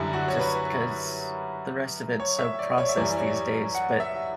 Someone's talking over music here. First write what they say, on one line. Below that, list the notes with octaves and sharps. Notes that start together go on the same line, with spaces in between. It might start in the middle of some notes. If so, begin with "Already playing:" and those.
just 'cause the rest of it's so processed these days. But
Already playing: F#2 D3 G3 E4
F#4
C#5
B4
C#5
E5
D5
C#5
E5
F#2 E3 G3 D5
C#5
F#5
E5